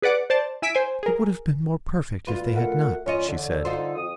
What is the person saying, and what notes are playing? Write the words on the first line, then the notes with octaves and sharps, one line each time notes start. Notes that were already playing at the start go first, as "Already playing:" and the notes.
"It would have been more perfect if they had not," she said.
G#4 B4 D5 F#5 D6
C5 D5 A5
E4 G#5 E6 B6 D7
C5 G#5
G#4 A#4
D2 F4 B4
A3 A#4 F#5
E2 C#4 F4 C#5 D#5
D3
D#4 F4 C5
F2 D#6